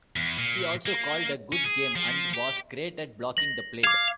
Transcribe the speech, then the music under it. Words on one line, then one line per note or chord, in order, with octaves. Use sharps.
He also called a good game and was great at blocking the plate.
E2
A#2
A#3
C#4
G#4
F3
G4
A#6 F#7
F5 D6 G#6